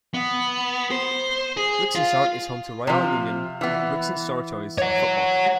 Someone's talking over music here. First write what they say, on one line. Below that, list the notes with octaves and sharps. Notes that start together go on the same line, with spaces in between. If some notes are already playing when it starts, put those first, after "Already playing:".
Rixensart is home to Royale Union Rixensartoise football club.
B3
C5
G#4
F4
C3 F3
E3 B3
C#5 F#5